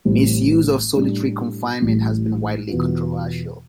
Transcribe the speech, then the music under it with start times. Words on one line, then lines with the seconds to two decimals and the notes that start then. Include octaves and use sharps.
Misuse of solitary confinement has been widely controversial.
0.05 A1 A2 G3 C4
0.93 A2 G3 D4
1.82 A1 A2 G3
2.69 E2 B2 B3 F4